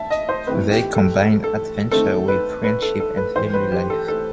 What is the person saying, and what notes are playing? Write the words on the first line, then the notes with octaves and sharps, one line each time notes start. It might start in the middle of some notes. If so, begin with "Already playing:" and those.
They combine adventure with friendship and family life.
Already playing: E5 A5
D#5
C5
A2 E3 A3 C4 B4
G4
A4
A4
A4
D#3 A3 C4 A4
B4
B4
A4
A4
B4
A2 E3 A3 C5
B4
G4
A4
A4